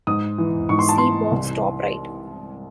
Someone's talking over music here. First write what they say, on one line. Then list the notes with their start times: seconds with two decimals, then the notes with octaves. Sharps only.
See box, top right.
0.07 G#2 D#6
0.38 E3
0.69 G#2 C#6
0.79 C6
0.89 A5
0.98 E3 C6
1.31 C2